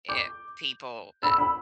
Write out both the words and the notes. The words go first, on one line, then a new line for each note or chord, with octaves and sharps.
eh, people, eh
D6 G6
B5 E6
B5 E6